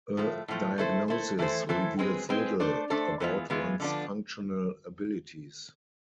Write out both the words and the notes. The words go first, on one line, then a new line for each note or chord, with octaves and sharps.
A diagnosis reveals little about one's functional abilities.
A2 F3 A3
A2 F3 A3
A3 E4 A4 C5
A3 E4 A4 C5
E3 A3 E4 A4 C5
E3 A3 E4 A4 C5
G#3 C4 G#4 B4
G#3 C4 G#4 B4
A3 D4 A4 C5
A3 D4 A4 C5
E3 G#3 B3 F4
E3 G#3 B3 F4
D3 F3 B3 D4